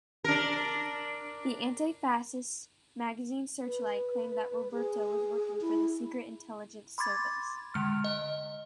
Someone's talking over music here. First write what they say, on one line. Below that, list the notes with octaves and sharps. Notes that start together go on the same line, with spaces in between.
The anti-fascist magazine "Searchlight" claimed that Roberto was working for the Secret Intelligence Service.
D4 A#4
B4
G#4
E4
B5 C6 D6 G#6 A6
D3 G#3 F6
D#5